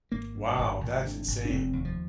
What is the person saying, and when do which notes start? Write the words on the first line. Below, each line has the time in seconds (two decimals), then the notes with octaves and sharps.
Wow, that's insane.
0.11 G#1 A#3
0.35 G2
0.58 G#1
0.81 G#1
1.04 D3
1.27 G#1
1.45 D4
1.50 F1 C4
1.73 D#2
1.85 F3